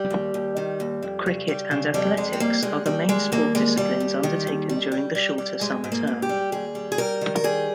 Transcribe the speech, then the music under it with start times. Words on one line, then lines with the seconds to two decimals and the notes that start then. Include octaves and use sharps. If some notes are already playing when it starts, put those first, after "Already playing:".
Cricket and athletics are the main sports disciplines undertaken during the shorter Summer term.
Already playing: G3
0.10 D#2
0.34 D#2
0.57 D#3
0.80 D#2
1.02 F2
1.26 C#3
1.48 G3
1.71 C#3
1.94 F2 G3
2.17 F2 G#3
2.33 C4
2.40 G3 A#3
2.63 G3 G#3
2.86 D#2 G3
3.09 G3 G#3
3.32 D#2 A#3
3.55 G3 G#3
3.77 D#2 G3
4.00 D#2
4.23 D#3
4.47 D#2
4.69 G3
4.92 G3
5.15 G3
5.38 G3
5.61 G#2 G#3
5.84 G#2
5.92 A#3
6.07 G#2
6.22 G4
6.29 G3
6.52 D#2 G#4
6.75 G3
6.92 G#4
6.98 G3 A#4
7.21 D#3
7.36 A#4
7.44 G3 G#4